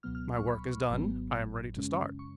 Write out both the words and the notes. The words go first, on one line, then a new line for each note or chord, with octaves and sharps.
My work is done: I am ready to start.
C#2 B2 F#3 B3 F6
F6
C#6
B5
G#1 G#2 F#3 B3
F#2 C#3 G#3 C#4
C#6